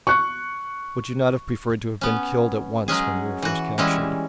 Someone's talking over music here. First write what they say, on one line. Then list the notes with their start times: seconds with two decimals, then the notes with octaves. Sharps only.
Would you not have preferred to have been killed at once when you were first captured?
0.07 C#6 F#6
2.01 B3 C#4
2.88 F#3 G#3 C#4 G#4
3.42 E3 F#4
3.78 E3 G3 G#3 C#4 E4